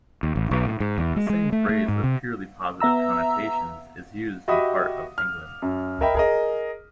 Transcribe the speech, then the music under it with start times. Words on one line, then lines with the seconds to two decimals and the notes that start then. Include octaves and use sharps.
The same phrase with purely positive connotations is used in part of England.
0.23 D#2
0.36 A1
0.51 B1
0.66 A2
0.80 G#2
0.98 E2
1.16 G#3
1.30 G#3
1.52 A3
1.69 A3
1.88 G#2
2.04 C3
2.80 B3 E5 A#5 E6
4.48 F#4 G4 D#5 E5 B5 D#6
5.18 F6
5.62 F#2
6.01 A#4 D#5 E5 G5 B5
6.15 G#4 A#4 D#5